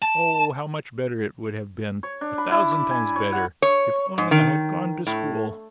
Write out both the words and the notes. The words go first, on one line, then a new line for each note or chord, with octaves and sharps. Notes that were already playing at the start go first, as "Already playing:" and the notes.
Oh, how much better it would have been, a thousand times better, if only I had gone to school!
A5
C#5
D4
B5
E4
D5
G#5
C#5
F#5
C#5
G#2
D#3
A2